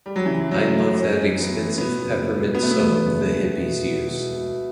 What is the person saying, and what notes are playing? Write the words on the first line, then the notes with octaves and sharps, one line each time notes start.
I love that expensive peppermint soap the hippies use.
G3
F#3
C#3 E3
C#3 F#3
F#2
F#2 C#4
F#2
B3
E3
B2 B3
F#1
B2
B2 B3
A3
B3
E2
F#1
E2
B2
E1
B2
B2